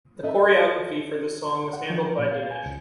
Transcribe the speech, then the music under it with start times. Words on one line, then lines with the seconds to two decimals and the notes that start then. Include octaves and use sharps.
The choreography for this song was handled by Dinesh.
0.23 A4 B4 D#5 E5
1.73 F#5
1.90 F3
2.07 A#4
2.18 A#2
2.31 F5
2.51 G#5
2.66 C#2